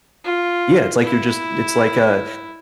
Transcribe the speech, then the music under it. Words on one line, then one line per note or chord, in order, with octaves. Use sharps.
Yeah, it's like you're just it's like a
F4
E4